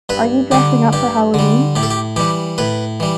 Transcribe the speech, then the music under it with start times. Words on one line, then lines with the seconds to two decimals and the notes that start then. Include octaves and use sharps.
Are you dressing up for Halloween?
0.09 G2 B4
0.51 D3 G3 G4
0.93 G2 G4
1.34 D3 G3
1.76 A2 G4
1.83 A4
1.90 G4
2.16 E3 G3 G4
2.58 A2 B4
3.00 E3 G3